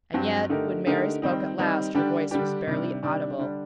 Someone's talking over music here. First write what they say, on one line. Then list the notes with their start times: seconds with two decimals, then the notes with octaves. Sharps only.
And yet, when Mary spoke at last, her voice was barely audible.
0.14 G2 F#3 C4
0.50 D3 A3 D#4 G4 A#4
0.86 D3 A3 D#4 G4 A#4
1.22 D#3 G3 C4 D#4
1.58 D#3 G3 C4 D#4
1.95 D3 G3 D4 G4
2.31 D3 G3 D4 G4
2.67 C3 D#3 G3 D4
3.02 C3 D#3 G3 D4
3.38 D3 G3 D4